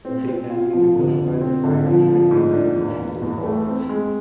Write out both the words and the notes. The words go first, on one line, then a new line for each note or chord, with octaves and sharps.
They can be retuned by filing material off the prongs.
C4
C4
F4
F3
D3
F2
C4
D3
F3
F3
G#2
D4
E2
E2
E2
A3
C4
G#3